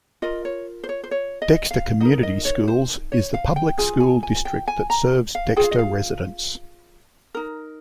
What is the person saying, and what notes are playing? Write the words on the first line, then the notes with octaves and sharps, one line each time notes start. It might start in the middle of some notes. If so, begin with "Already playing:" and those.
"Dexter Community Schools" is the public school district that serves Dexter residents.
F4 A#4 D#5
C#5
C5
C#5
C5
C#5
D#5
F5
D#4 A#4 D#5
D#5
C#5
C5
C#5
F5
G5
F4 G#4 G#5
G#5
G#5
G5
G#5
A#5
F5
F4 G#4 G5
F5
D#5
F5
D#4 A#4